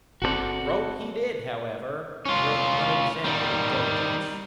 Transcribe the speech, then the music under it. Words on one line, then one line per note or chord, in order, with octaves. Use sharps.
Grope he did, however, with unexampled diligence.
G1 B2 C4 F#4 A4 D5
C#4 F4
D#3 G3